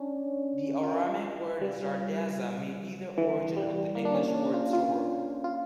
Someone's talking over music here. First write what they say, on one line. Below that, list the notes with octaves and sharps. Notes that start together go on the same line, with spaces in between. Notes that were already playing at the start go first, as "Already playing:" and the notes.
The Aramaic word 'zardasa' may be the origin of the English word 'sorb'.
Already playing: C#4 D4
F4
G3
E3
G3
A#3
D4
C#4
D4
F4
F4
F4